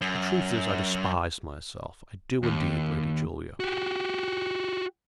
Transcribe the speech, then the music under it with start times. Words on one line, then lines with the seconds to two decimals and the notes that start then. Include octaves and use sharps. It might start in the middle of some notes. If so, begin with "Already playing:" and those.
The truth is, I despise myself;--I do indeed, Lady Julia.
0.01 F#2
2.43 D#2
3.60 F#4 G4